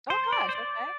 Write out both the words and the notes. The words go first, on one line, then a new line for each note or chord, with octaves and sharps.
Oh gosh! Okay.
C5
D5
C5
D5